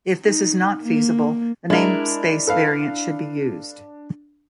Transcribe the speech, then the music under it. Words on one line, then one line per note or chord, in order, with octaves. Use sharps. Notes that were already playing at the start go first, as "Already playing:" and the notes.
If this is not feasible, the namespace variant should be used.
D#4
A#3
G#3 D4 E4 A#4
A4 B4 F5